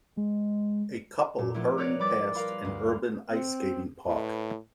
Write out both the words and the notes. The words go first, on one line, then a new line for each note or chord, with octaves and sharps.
A couple hurrying past an urban ice skating park.
G#3
A#2
F3 A3 B3 D4 E4
A#4 B4 C#5 D5
G3 B5 D6 A6
A#4 B4 F5 B5 C6
D2 G2
C4
A2 B4